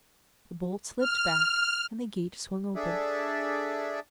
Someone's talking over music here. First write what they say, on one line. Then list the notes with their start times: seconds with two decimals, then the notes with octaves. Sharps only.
The bolt slipped back and the gate swung open.
0.99 F6
2.76 D4 G#4 A4 D5 E5